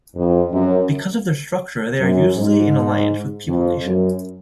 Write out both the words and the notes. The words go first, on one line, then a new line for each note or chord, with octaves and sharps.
Because of their structure they are usually in alliance with People Nation.
F2
F#2
F#2
G#2
F2
F#2